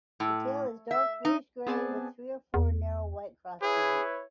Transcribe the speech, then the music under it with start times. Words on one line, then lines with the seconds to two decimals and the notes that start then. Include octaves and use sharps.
The tail is dark bluish gray, with three or four narrow white crossbands.
0.20 A2
0.91 E5
1.25 D#4
1.67 B3 C4 G#4 D5 G#5 A5
2.54 E2
3.62 E4 G#4 B4 C#5